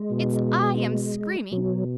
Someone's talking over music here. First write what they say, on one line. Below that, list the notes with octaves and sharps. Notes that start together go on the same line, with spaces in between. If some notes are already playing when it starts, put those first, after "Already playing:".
It's I am screaming.
Already playing: G#3
B2
B2 F#3